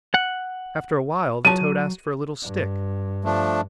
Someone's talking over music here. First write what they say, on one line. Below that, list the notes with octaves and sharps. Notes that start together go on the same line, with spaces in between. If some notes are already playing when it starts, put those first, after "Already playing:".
After a while the toad asked for a little stick.
F#5
F#3 A5 D#7
G2
F3 A3 D4